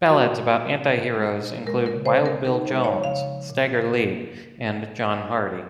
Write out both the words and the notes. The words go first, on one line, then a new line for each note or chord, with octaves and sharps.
Ballads about anti-heroes include "Wild Bill Jones", "Stagger Lee" and "John Hardy".
G#3 F#4
A#2
C4
A#2
G#3
A#2
G#3 A#4
A#4
C#3
C5
C4
A#4
D#4 A#4
C5
G#3
C#5
C#3
F5
F3
A#2
A#3